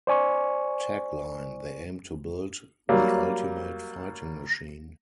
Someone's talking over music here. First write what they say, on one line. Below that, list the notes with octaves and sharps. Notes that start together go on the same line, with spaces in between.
Tagline: They aimed to build the ultimate fighting machine.
C5 D5 G#5 C#6
F#3 G3 A#3